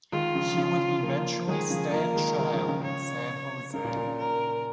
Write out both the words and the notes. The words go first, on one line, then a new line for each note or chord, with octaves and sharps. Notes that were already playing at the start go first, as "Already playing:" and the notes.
He would eventually stand trial in San Jose.
D#3 G#3 F4
C#3 F3
C#3 F3
F3 A#3
D#3 G#3 G#4
C#3 F3
F3 A#3 A#4
D#3 G#3
D#3 G#3
C#3 F3
C#3 F3
C#5
C#3 A#4
A#2
A#2
C#3
A#4